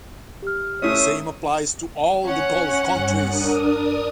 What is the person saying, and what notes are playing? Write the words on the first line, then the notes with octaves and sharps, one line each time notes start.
The same applies to all the Gulf countries.
G4 F6
A3 C#4 E4 C5 C#5 E5 D#6
C#4 F#5
G2
D4 A#4 D#6